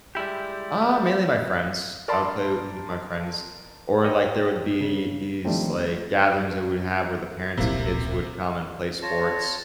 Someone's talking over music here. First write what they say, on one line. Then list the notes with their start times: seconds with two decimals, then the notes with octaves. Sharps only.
Ah, mainly my friends. I would play with my friends, or, like, there would be these, like, gatherings that we'd have where the parents and kids would come and play sports,
0.15 G3 G#3 E4 G4
2.08 A#4 D5 A5 B5 C6
4.04 B4 C#5 D#5 G5
4.81 C#3
5.45 D#3 F3 G3 A3 A#3 C4
7.58 D1 A#1 C3 A#3 E4
9.02 F4 C#5 A5 A#6